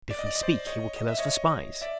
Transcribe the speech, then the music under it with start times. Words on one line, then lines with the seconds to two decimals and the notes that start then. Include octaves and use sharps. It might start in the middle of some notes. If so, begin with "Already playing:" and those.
But if we speak, he will kill us for spies.
0.11 D5
0.19 D#5
0.26 D5
0.36 D#5
0.43 C5 D5
0.67 C#5 D#5
0.96 D#5
1.08 E5
1.19 C#5 D#5
1.81 D5 E5